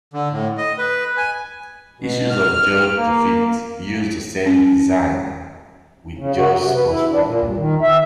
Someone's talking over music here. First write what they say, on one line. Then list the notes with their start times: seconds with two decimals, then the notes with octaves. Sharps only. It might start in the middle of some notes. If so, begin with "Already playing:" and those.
Issues of George the Fifth used the same design with George's profile.
0.14 D3
0.31 A2
0.58 D#5
0.78 B4
1.17 G#5
2.00 B2
2.30 F6
2.97 A#3
4.46 C#4
6.18 C#3
6.36 F#4
6.60 C3
6.75 B4
6.89 E4
7.11 D4
7.24 A#2
7.43 G2
7.57 D#3
7.82 E5